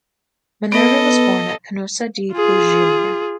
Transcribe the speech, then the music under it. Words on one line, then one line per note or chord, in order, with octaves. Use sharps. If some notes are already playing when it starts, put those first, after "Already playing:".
Minerva was born at Canosa di Puglia.
B3 A4 B4 D#5
F4 G#4